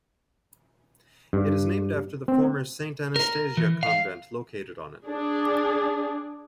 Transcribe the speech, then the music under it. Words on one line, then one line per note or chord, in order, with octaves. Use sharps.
It is named after the former Saint Anastasia convent located on it.
G2
C4
A#4
E3
F5
D4 G#4